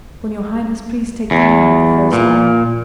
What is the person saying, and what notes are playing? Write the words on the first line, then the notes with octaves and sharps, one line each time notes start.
"Will Your Highness please take command of the first army?"
E2
A#2